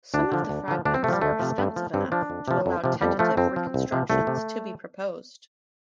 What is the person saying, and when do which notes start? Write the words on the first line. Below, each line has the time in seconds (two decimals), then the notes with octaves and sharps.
Some of the fragments are extensive enough to allow tentative reconstructions to be proposed.
0.14 D2 D4
0.32 D3 F3
0.49 D2
0.68 D3 F3
0.85 D2 D4
0.94 C4
1.04 C3 A3
1.09 F3 G3
1.22 D2 A3
1.39 C3 F3
1.58 G2
1.76 F3
1.94 G2 C4
2.12 F3 D4
2.30 F2
2.48 C3 F3
2.66 F2
2.84 C3 F3
3.01 F2 G3
3.19 F3 A3
3.37 F2 C4
3.56 F3
3.74 C2
3.92 C3 F3
4.10 C2 A3
4.27 C3